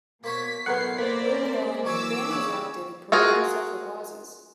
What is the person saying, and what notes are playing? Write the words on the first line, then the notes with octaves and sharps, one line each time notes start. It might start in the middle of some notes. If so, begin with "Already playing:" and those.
Early on, the band was active in promoting social causes.
B2 A#3 C5 C#5 B6
B1 A2 B3 A#4 F#5 C7
A#3 A#4 C5 D5 B6
E3 F#3 C#5 D6 E6
C#3 C#4 F#5
F4 F#4 G#4 A#4